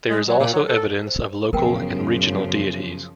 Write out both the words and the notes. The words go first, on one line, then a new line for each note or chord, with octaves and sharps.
There is also evidence of local and regional deities.
G#3
F#3
A#2
F#3
A4
C5
F#2 C#3 F3 B3 A#4 B4 G5